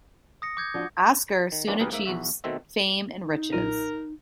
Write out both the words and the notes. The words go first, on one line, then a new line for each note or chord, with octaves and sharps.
Oskar soon achieves fame and riches.
D#6 A#6 C#7
D6 G6 G#6
F3 D4 F#4
D#3
E3 G3 G#3 A#3 C#4 D4
D2 A#2 G3 G#4 A#4 B4
G#2 A#3 E5
B1 E2 F#4 E5
B2 D#3 A3 C4 E5
D#4
B1 A#2 A#4 D#7